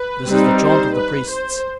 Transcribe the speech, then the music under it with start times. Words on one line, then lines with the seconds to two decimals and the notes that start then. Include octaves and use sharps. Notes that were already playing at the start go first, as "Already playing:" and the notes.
This is the chaunt of the Priests.
Already playing: B4
0.26 G3 C4 D#4
0.61 C5
0.96 B4
1.30 C5